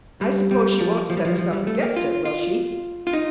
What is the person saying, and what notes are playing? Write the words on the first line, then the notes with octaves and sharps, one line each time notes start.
"I suppose she won't set herself against it; will she?"
G3
G3
F3
F3
G3
F3
F3
G3
A3
A#3
F4
F4
F4
D#4